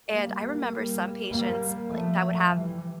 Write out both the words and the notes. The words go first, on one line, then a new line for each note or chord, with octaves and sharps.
and I remember some patients, like, that would have
G3 A#3
G3 A#3
G3 A#3
F3 A3
E3 G3